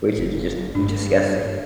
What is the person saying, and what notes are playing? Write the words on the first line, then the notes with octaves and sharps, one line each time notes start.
Which is just, disgusting.
F#1
G2 D4